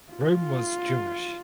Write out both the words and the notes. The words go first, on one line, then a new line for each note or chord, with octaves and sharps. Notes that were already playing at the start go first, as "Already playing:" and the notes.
Rome was Jewish.
F4